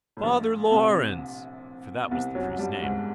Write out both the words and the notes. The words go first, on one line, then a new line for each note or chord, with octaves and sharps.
Father Laurence!'--for that was the Priest's name.
A2
A#1 A#2
C2 C3
B2
C2 C3
F#2 F#3
G2 G3
G#2 G#3